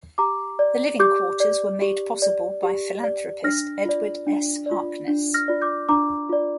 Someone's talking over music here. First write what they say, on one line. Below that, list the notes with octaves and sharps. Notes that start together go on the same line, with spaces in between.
The living quarters were made possible by philanthropist Edward S. Harkness.
G4 A#5 D6
D5
G4 D6 G6
D5
G4
D5
G4
D5
D4 F6 A#6
F4 D5
D4
D5
F4
D4
F6 A#6
F4 D5
D6 G6
D4 A#5 D6
F4 D5